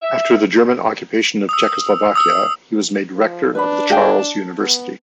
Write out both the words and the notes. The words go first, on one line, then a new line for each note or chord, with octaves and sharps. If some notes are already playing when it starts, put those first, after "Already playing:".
After the German occupation of Czechoslovakia he was made rector of the Charles University.
E5
D#6 E6
D#6 E6
F3
D4 B4 B5
G#4 F5 G5
A5
B3